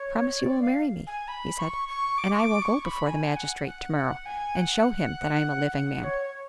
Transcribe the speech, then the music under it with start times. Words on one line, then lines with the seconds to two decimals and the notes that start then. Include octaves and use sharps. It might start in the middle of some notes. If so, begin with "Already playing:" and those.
"Promise you will marry me," he said, "and I will go before the magistrate to-morrow, and show him that I am a living man."
Already playing: C#5
0.39 D5
0.62 F5
1.07 G#5
1.28 B5
1.59 C#6
1.88 C#6
2.18 D6
2.33 C#6
2.40 D6
2.62 C#6
2.85 B5
3.06 G#5
3.36 F#5
3.66 F#5
3.97 F#5
4.26 G#5
4.56 F#5
5.75 F#5
6.04 C#5